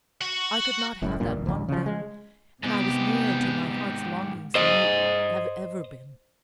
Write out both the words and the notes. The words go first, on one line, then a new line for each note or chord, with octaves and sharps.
I could not have that one thing, and I was nearer to my heart's longings than you have ever been.
F#4
F#1 F#2 A2
F1 A#1 G2 A#2
D1
A1 D2
C#3 F3
G#3
G#2 C3 B3 G4
C5 D#5